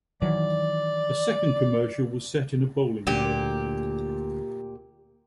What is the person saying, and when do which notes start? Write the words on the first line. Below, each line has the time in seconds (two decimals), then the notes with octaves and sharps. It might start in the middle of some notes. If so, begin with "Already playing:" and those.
A second commercial was set in a bowling alley.
0.22 D#3 E3 F#3 D5
3.07 D2 A#2 G4